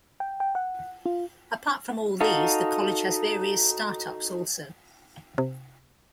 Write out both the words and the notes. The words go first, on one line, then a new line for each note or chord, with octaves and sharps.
Apart from all these the college has various start-ups also.
G5
G5
F#5
F4
D#4 F#4 A4 F5
C3